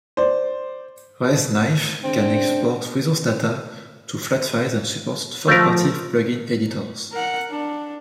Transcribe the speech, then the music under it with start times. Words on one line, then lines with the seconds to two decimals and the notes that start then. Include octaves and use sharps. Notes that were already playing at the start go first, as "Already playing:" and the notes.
ResKnife can export resource data to flat files and supports third-party plug-in editors.
0.17 C5 D5
2.04 C#3 C4 D4
5.47 F3 A3 A#4
7.13 A#4 F#5
7.51 D4